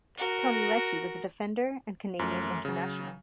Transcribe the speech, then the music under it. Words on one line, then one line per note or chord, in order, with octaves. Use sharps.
Tony Lecce was a defender and Canadian international.
F#4 A#4
F#2 A3
C#3 F#3